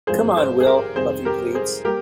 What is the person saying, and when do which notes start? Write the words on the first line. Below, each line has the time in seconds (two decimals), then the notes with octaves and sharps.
"Come on, Will," Buffy pleads.
0.07 G#1 G2 F3 G#3 G#4 C5
0.36 G#4 C5
0.60 G#4
0.66 G4 A#4
0.95 F2 C3 D#3 G3 G#4 C5
1.25 G4 A#4
1.55 G#4 C5
1.85 G3 A#3 G4 A#4